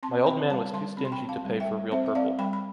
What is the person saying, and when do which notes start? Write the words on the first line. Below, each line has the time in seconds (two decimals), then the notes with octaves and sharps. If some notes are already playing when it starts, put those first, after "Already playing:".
My old man was too stingy to pay for real purple.
0.03 C4 A5 C6
0.26 C4 G5 B5
0.50 G3 F5 A5
0.74 G3 A5 C6
0.97 C4 B5
1.05 C6
1.12 G5 B5
1.22 C4
1.29 F5 A5
1.44 G3
1.60 E5 G5
1.68 G3
1.92 C4 C5 E5
2.06 E5
2.15 C4 D5 F5
2.39 G3 G5 B5
2.53 B5